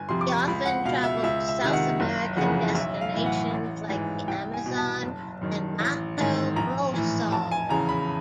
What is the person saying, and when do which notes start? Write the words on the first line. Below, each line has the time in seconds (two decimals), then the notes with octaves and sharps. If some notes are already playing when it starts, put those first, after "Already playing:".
He often travelled to South American destinations like the Amazon and Mato Grosso.
Already playing: G1 G#5
0.09 F2 C3 C6
0.21 D6
0.28 C#6
0.47 C#2 B5
0.66 F#5
0.85 B2 F5
1.04 E5
1.23 C#2 E5
1.49 E5
1.62 C3 D#3
1.73 F#5
2.00 F#1
2.37 F2 C#3 E3 F#5
2.75 B1 E5
3.01 F5
3.14 A2 E3
3.26 F#5
3.51 A1
3.89 G#2 E3
4.28 C2 G5
4.54 G#5
4.66 B2
4.78 A5
5.03 F#1
5.41 F#2 D#3
5.80 A1
6.18 G#2 D#3
6.56 A#1 A#5
6.94 A2 E3
7.32 F1 A5
7.51 G#5
7.69 E2 C#3 A#5
7.89 B5